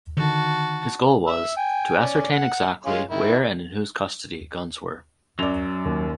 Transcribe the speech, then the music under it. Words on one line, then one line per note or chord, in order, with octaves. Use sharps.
His goal was "to ascertain exactly where and in whose custody" guns were.
D3 D#3 F#4 A5
E5 E6
G5 G#5
C#4 D5
F#5
G#3 C#4 F4
D#3 E4
F#2 F#3 D5 F7
D#2